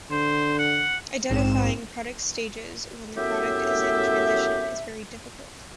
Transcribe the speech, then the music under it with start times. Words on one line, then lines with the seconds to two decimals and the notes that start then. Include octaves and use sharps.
Identifying product stages when the product is in transition is very difficult.
0.11 D3 C5
0.59 F#5
1.30 A#1 G#2 C4 E7
3.16 F#2 A2 B3 G4 E5